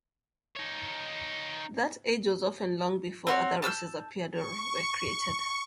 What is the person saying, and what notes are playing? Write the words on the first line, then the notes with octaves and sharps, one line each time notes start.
That age was often long before other races appeared or were created.
D#4 C#5
C4 F#4 C#5
A5 E6 F6 G6
C#6